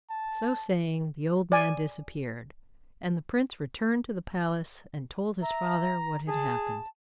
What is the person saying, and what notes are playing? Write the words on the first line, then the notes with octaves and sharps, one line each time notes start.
So saying the old man disappeared, and the prince returned to the palace and told his father what had happened.
A5
D5 G#5
E5 A#5
G#4 A5